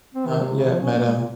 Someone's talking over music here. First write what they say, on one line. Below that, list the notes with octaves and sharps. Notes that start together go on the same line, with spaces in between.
Not yet, madam.
C4
D#3
C3
C#3
F3
C#4
A#3
G#3
A#2